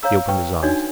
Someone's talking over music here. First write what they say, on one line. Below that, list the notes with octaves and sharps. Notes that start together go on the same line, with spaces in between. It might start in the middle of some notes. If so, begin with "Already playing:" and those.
He opened his eyes.
C#5 F5 A#5 E6
B4 G5 C#6
D4 D#4 F#4 C#5 D5